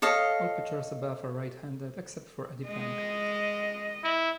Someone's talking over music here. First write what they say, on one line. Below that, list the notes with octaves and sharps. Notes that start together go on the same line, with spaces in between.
All pitchers above are right-handed, except for Eddie Plank.
A4 C#5 D#5 F5
G#3 D#5
E4